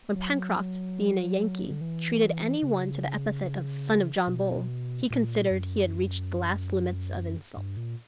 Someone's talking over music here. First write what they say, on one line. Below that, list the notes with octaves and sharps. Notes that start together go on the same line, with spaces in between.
When Pencroft, being a Yankee, treated any one to the epithet of "son of John Bull," he considered he had reached the last limits of insult.
F#3
D3
E3
C#3
B2
A#2
F#2
G2
A#2